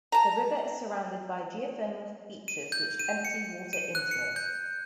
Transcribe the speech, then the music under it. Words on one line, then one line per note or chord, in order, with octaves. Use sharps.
The river is surrounded by geothermal features which empty water into it.
A5 A#5
D#7
G6
D#7
C#7
D#7
F#6
C#7
G6